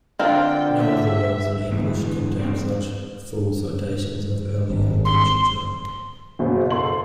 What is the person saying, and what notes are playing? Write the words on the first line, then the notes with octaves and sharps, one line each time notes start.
No other works in English contain such full citations of earlier literature.
D3 C4 F4 A#4 G5
E5
A2 D3 E3 G#3 B3
G#3 A#3 C4 D#4 G4 D5
G#1
C6
F#1 B2 G#4 C5
A4 C6 F#7